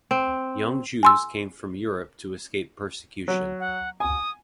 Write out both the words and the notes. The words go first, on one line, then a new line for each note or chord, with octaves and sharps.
Young Jews came from Europe to escape persecution.
C4
G#5 C6 E6
F#3
F#5
G#5 D#6